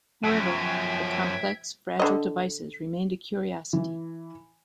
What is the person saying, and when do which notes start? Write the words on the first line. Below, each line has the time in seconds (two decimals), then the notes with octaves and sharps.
However, the complex, fragile devices remained a curiosity.
0.24 F#2 B2 F3 E5 G5 G#6
2.00 D3 D#5
3.73 E3